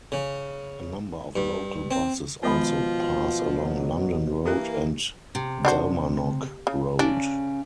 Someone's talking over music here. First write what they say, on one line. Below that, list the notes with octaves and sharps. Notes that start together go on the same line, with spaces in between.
A number of local buses also pass along London Road and Dalmarnock Road.
C#3
G2
C4
B2 D#3 F3 G#3 B3 F4
F#3
E3 A#3 G4 A#4
C3
D4 F#4 C5
C#3
C#3 D4